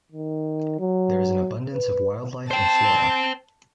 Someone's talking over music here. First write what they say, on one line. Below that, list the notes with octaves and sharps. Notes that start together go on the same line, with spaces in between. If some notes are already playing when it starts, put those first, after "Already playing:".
There is an abundance of wildlife and flora.
D#3
F#3
B4
C5 G5 A5